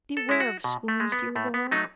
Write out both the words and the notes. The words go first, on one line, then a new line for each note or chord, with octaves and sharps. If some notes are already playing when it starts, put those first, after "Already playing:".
Beware of swoons Dear Laura....
A4
G#3 E4
F#4
B2
A3
G#3
B3
A2 A3
B3
F#3 A3 D#4